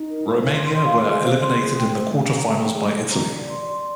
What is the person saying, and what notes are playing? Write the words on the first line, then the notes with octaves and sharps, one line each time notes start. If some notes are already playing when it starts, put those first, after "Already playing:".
Romania were eliminated in the quarter-finals by Italy.
Already playing: D#4
A#4
C5
C6
C6
F5
G#4
C5
C6
G#4
G5
C5
G#4
A#5
G5
G#4
C5
A#5
D5
C6
D5